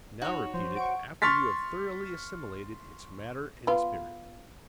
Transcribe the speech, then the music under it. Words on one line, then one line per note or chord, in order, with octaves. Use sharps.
Now repeat it after you have thoroughly assimilated its matter and spirit.
D#4 F#4 C#5
F3 C5
F#5 C#6 D7
C6 C#6 F6 A6 B6
B3 F4